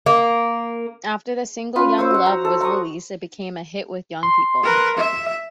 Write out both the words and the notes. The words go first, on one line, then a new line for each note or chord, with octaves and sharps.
After the single "Young Love" was released, it became a hit with young people.
A#3
C#4 F4 B4
C5 C#5 E6
F#4 F#5
A#5
A4
F#5 A#5 C#6 D#6
C6
A#4 B4
E5